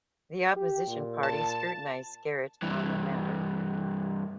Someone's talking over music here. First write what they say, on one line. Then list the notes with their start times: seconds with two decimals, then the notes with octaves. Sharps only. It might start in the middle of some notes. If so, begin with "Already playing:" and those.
The opposition party scrutinized Skerrit on the matter.
0.56 G4
0.88 A#2
1.23 A5
2.62 G2 E3